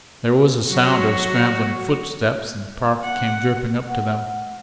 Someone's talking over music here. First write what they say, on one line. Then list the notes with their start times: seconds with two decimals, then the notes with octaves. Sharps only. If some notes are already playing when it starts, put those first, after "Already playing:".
There was a sound of scrambling foot-steps and Park came dripping up to them.
0.69 F#3 F#4
3.04 F#5
3.88 F#5